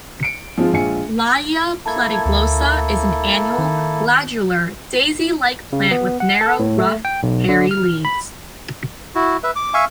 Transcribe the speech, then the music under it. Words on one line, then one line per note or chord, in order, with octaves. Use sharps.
"Layia platyglossa" is an annual, glandular, daisy like plant with narrow, rough hairy leaves.
C#7 D7
F3 G#3 C4 F4
A#1 G#3 F4 G#5 C#7
A#3 E4 A4 A5 G#6
D2
D#3
C#3
B3
F#5
A4
A2
A3
G5
B1
D3
F6
B5
E4 F#4
B4 E5
D6
E5 F5 G#5 C#6